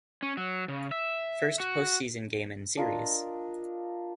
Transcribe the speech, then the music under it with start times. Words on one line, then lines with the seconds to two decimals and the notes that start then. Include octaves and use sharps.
First postseason game in series.
0.23 C#4
0.37 F#3
0.68 C#3
0.91 E5
1.60 F#4
2.77 D4 F4 A#4 D#5